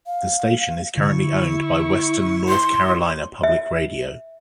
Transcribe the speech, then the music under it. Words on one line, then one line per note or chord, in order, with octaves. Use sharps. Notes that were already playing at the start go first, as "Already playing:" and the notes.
The station is currently owned by Western North Carolina Public Radio.
F5
D3 E4 C#6
C6
E5